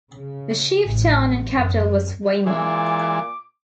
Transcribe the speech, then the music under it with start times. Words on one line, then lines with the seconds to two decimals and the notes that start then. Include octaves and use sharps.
The chief town and capital was Weimar.
0.13 C#3
0.86 A1
1.54 F#2
2.46 A#2 E3 G#3 D6